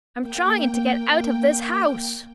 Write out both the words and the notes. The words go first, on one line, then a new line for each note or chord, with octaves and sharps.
"I'm trying to get out of this house!"
A#3 G5